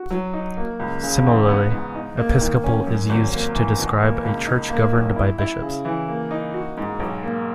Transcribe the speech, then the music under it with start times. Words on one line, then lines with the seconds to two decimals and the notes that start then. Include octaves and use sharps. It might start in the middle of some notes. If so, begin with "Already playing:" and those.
Similarly, "episcopal" is used to describe a church governed by bishops.
Already playing: F#4
0.11 F#3
0.33 D#4
0.57 A#3
0.80 C#2
1.03 C#3
1.26 E2
1.48 B3
1.72 G#2
1.95 D#4
2.17 A#3
2.41 D#3
2.63 C#4
2.87 F#2
3.09 G#1
3.33 A#3
3.55 E3
3.78 B2
4.02 A#3
4.24 C#2
4.47 D#4
4.70 A#3
4.93 B1
5.16 E4
5.39 E4
5.62 C#3
5.85 E3
6.08 A#3
6.31 D#4
6.54 F#4
6.77 G#2
7.00 B1
7.23 A#3